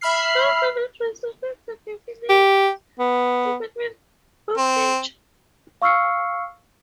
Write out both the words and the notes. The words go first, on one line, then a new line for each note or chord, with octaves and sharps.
Gods are not restricted to definite departments of nature.
E5 B5 F6 C7
G4
B3
C4
F5 C#6 E6 F6 C7 C#7